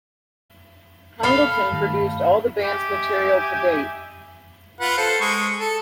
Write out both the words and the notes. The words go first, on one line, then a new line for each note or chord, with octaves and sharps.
Congleton produced all the band's material to date.
A4 F5 B5 C7 G7
G2 D#3 A3
G4 D#5 E5 G#5
F4 B4 F#5
A4 C5
G#3 C#6
A4